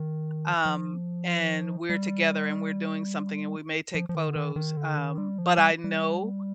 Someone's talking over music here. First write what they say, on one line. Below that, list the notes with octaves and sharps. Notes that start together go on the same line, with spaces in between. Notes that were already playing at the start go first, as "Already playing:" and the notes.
um, and we're together and we're doing something, and we may take photos, um, but I know
Already playing: D#3
F3
G3
F3
F3
D#3
D3
D#3
D#3
D3
D#3
G3
F3
G3
G3